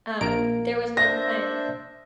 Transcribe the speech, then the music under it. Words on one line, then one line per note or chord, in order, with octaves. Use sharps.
Um, there was one time
A#1 A#3 A#5 D7
D4 C5 E5 A#6